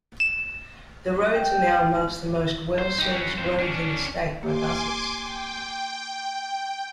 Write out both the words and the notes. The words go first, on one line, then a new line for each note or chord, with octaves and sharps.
The roads are now amongst the most well-serviced roads in the state by buses.
E7
G5
C5
D#4 G4
F#3 C#4
F2 C5
C#4 D4
A#3 G4 G#5 C6 D6
G5